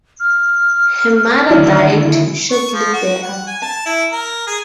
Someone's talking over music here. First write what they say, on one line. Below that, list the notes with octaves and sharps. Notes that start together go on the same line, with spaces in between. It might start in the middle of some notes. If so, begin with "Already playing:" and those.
Her mother died shortly thereafter.
F6
D2 D#3 F#3 D4 E4
C#6
F3
F#4
F#5
G#5
A5
E4
A#4
G#4